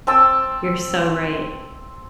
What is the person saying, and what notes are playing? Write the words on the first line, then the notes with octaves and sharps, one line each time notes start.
You're so right,
C4 G5 A5 E6